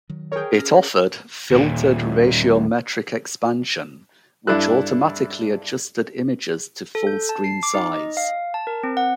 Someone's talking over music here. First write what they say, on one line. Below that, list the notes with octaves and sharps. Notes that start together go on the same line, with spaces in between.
It offered "Filtered Ratiometric Expansion", which automatically adjusted images to full-screen size.
D#3 F#3
G#4 A#4 C#5 G5
C#4 F6 A#6
D#2 A#2
G2 D4 E4 A4 E6 F#6
A4
G6
A5
C7
D6
D#4
D#5
F5
A5
A#4
C4
F#5